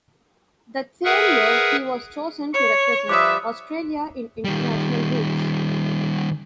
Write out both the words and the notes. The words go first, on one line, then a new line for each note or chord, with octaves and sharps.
That same year he was chosen to represent Australia in International Rules.
G#4 A#4 B4 E5 F#5
C#5 C#6
F3 G3 B4 E5 D6 D#6
D#3 G3